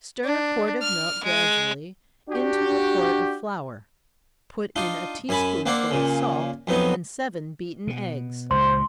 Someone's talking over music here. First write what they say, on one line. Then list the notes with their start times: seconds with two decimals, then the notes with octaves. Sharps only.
Stir a quart of milk gradually into a quart of flour--put in a tea-spoonful of salt, and seven beaten eggs.
0.24 D4
0.82 F6
1.23 G#3
2.30 D4 F#4 G4
4.76 D4 D#4 F4
5.29 F#2 G#5 A5 B5
5.66 A#3 C4 D4 D5 F#5
5.91 A#2 C#3
6.67 F2 F#3 B3 D#4
7.87 B2
8.51 C#2 A#2 C5 C6